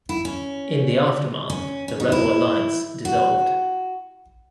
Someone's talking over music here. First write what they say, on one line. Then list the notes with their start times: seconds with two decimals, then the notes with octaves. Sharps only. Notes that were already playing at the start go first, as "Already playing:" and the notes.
In the aftermath, the rebel alliance dissolved.
0.09 E4
0.25 C#4
1.50 C#4
1.88 C#4
2.00 D#4
2.12 E4
3.05 F#4